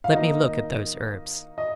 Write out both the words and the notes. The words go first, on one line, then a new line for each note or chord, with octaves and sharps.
Let me look at those herbs.
F5
D#3 A#3 D#4 D#5
D#5